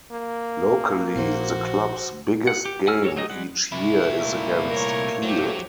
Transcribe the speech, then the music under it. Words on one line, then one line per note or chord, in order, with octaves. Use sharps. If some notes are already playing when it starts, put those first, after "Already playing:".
Locally, the clubs biggest game each year is against Peel.
A#3
A#1 F#4 C5
F#5
G4
F#5 G#5 E6 F6
F#4 A4 A#4 C#5
F#3 D#4 G#4 D#5
G3 G#3 F#5
C2 E4
A#2 A3 A#3
A#4 C#5
F#3 G4 C5